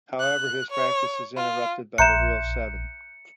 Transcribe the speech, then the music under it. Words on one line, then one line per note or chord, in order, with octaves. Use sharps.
However, his practice is interrupted by the real Seven.
F#6
C#5
F4
A#1 E5 A#5 C6 F#6 G6 C#7 E7